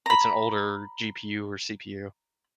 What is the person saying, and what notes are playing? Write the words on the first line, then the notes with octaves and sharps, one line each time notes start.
it's an older GPU or CPU.
A#5 B5